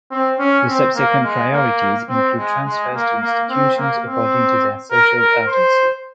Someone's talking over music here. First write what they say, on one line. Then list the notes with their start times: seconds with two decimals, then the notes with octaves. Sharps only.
The subsequent priorities include transfers to institutions according to their social urgency.
0.11 C4
0.39 C#4
0.67 C4
0.96 A#3
1.24 G#3
1.52 A#3
2.09 C4
2.37 G#3
2.66 G#3
2.94 A#3
3.22 A#3
3.50 C4
3.78 A#3
4.07 C4
4.91 A#4
5.20 A#4
5.47 C5